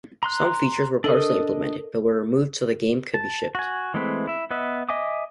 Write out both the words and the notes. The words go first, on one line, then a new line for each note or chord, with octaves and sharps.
Some features were partially implemented, but were removed so the game could be shipped.
A#5 C6 F#6
D4 A4 A#4 D#5 D#6
A5
F#4 G#5
E3 G#3 A3 C4 B4
E4 E5
B3 B4 D#5 E5
D#5 E5 G#5 D6 D#6